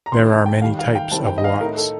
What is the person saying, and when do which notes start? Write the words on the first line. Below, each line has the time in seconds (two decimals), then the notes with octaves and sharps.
There are many types of wats.
0.06 A#5
0.12 D#2 D#3 A3 C6
0.30 A5
0.46 G5
0.62 D#2 D#3 G3 F5
0.79 F5
0.95 G5
1.11 C2 C3 D#3 G3 C4 A5
1.27 G5
1.38 D#5
1.44 F5
1.61 A2 A3 D#4 A#4
1.77 A4